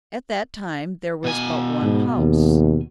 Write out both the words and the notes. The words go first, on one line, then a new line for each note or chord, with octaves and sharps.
At that time there was but one house.
B2 G#5
G#2
D#2